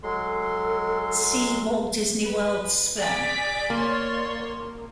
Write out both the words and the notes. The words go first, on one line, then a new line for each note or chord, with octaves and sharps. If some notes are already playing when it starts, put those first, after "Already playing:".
See Walt Disney World Swan.
F#3 G#3 A4 C6
B4
G#4 D5 D6 B6
A#3 C#5 C6